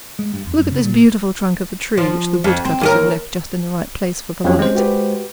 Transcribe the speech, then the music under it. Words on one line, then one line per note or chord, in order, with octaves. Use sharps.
Look at this beautiful trunk of a tree, which the wood-cutters have left just in the right place for the light.
G#3
G2
E2
F#2
C#3
A#2
F3
F2
C4
D#2 G#4 A#4
F2 F3 F#3 C4 C#4 G4
G#3 C5
F#4 G4 B4